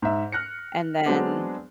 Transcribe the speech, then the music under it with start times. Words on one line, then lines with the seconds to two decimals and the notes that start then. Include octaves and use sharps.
And then
0.02 G#2 E5
0.32 F6 F#6 A#6 C#7
1.06 F#3 G#3 B3 C4 D4